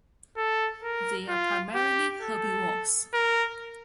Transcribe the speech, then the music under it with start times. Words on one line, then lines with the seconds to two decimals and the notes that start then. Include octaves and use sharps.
They are primarily herbivores.
0.37 A4
0.84 A#4
1.29 F4
1.75 G4
2.22 A4
3.13 A#4